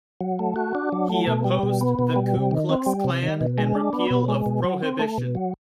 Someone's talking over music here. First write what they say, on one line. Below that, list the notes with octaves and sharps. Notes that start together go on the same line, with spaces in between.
He opposed the Ku Klux Klan and repeal of Prohibition.
F#3
A3
F#4
D4
F#3
A3
B2
G3
B2
B3
B2
G3
C3
D#3
C4
G3
C3
D#3
B2
G#3
D4
B3
B2
G#3
B2
F#3
C4
A3
B2
F#3